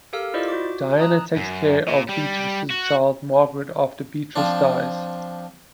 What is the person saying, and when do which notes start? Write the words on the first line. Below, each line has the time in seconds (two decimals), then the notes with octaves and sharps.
Diana takes care of Beatrice's child Margaret after Beatrice dies.
0.13 G4 A4 A#4 F5 E6
0.34 E4 F4 C5 D5 D#5
0.48 F#4 D6
0.98 A5 A#5 D#6 F#6
1.36 F#2
1.88 A#2
2.09 G3
2.71 F#4
4.36 F3 C4 D4